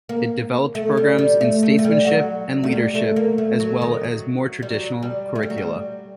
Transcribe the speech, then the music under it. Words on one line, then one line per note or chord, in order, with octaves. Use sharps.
It developed programs in statesmanship and leadership, as well as more traditional curricula.
A#3
A3
G3
G3
A3
A3
A3
G3
F#3
A3
G3
A3
A#3
A3
F#3
D#3
F#3
G3
F#3
G3
A3
G3
F#3
G3